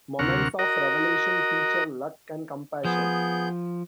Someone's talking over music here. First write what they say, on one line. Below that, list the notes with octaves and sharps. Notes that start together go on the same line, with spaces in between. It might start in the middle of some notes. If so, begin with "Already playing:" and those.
Moments of revelation feature luck and compassion.
D2 C3 A#4 F#5 C#6 F6
F#4 A#4 D#5 A#5
F3 B3 G#4 G6